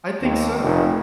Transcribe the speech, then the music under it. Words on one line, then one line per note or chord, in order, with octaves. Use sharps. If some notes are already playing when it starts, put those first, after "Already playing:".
I think so.
D#2
F1